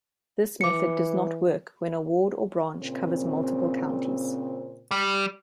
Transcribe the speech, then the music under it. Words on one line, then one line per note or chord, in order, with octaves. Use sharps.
This method does not work when a ward or branch covers multiple counties.
E3 D6 C#7
A#2 C#3 C4
G3